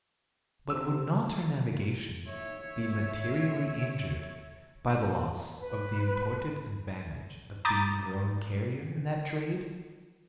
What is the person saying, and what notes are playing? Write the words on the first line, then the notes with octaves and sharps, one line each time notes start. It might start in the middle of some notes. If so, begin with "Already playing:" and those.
But would not her navigation be materially injured by the loss of the important advantage of being her own carrier in that trade?
C3 G4 C5 E6
C#5 E5
B4
A#5 B5 D6 D#6 G6 A6